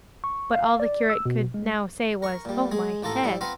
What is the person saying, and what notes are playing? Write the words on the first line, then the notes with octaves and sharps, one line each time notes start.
But all the curate could now say was, 'Oh, my head!'
C#6
F5
D5
E6
B2
G#3
A#4 C#6
A#2 G3
G#3 G#4
A1 A#3 F4 A4 A#5
G3 E4
B3 C4 F4 F5 A#5 B5